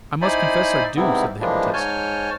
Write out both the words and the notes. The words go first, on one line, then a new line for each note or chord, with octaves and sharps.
"I must confess I do," said the hypnotist.
D#4 E4 C5 D5 G#5 B5
G#2 C3 G3 B3 C4 E4
E3 F3 G3 G#3 A#3 D4
G#2 C#5 G#5 A5 F6 G6